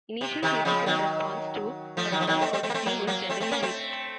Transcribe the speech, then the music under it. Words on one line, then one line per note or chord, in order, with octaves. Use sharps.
Initial critical response to "A Funk Odyssey" was generally mixed.
C3
C3 D#3
C#3 F3
D#3 F#3
F3 A3
D#3 F#3
F3
D#3 F#3
A3 C4
A3 C4
A3 C4
A#3
A3 C4
F#3 A#3
F#3 A#3
A3 C4
A3 C4
A#3 C#4
A3 C4